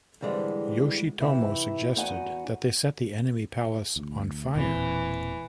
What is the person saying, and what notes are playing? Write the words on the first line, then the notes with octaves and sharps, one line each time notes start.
Yoshitomo suggested that they set the enemy palace on fire.
G#2 D3 E3 G3 G#3 C4
C3 E3 D#4 E4
E2 B3 D#4 F#4 F#5 G#5
D2
E1 A#2 E3 C4